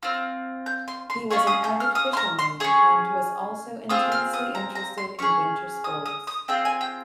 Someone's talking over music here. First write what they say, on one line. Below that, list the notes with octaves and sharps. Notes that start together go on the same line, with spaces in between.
He was an avid fisherman, and was also intensely interested in winter sports.
C4 F4 F6
G6
C6
C6
C#4 F4 G#4 C#6
D#6
G6
F6
D#6
C6
A#5
C6
C#4 G#4 C#6
C4 F4 G#4 D#6
F6
D#6
A#5
A#5
C6
C#4 G#4 C#6
D#6
D#6
D#6
C4 F4 G#4 G5
G#5
G5